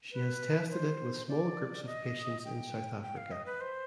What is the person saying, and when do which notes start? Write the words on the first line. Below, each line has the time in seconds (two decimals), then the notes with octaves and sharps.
She has tested it with small groups of patients in South Africa.
0.12 B4
0.71 C5
1.28 D5
1.86 D#5
2.45 G5
3.03 G5
3.17 F5
3.32 D#5
3.46 B4
3.61 C5